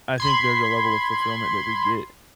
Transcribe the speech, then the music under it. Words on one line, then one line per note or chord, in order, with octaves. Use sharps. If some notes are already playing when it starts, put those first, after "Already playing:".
I think there's a level of fulfillment that we get
B5 C6 G#6